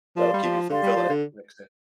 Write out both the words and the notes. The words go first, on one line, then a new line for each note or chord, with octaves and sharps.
That'll keep you from filling it. Mixed in.
F3 G4 D5 F5 C6
G3
F3
D3 G4 D5 F5 C6
G3
F3
D3